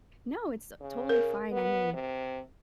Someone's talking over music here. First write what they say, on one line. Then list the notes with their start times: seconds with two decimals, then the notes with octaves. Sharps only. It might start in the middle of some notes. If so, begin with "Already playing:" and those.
No, it's, uh, totally fine. I mean,
0.81 C#3
1.09 A#4
1.52 B3
1.93 C3